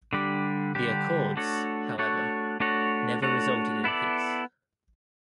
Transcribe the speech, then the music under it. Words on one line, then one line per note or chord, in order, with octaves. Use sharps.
The Accords, however, never resulted in peace.
D3 G3 D4 G4
D3 G3 D4 G4
A3 D4 F#4 A4 C#5
A3 D4 F#4 A4 C#5
A3 D4 F#4 A4 C#5
A3 D4 F#4 A4 C#5
B3 E4 A4 D5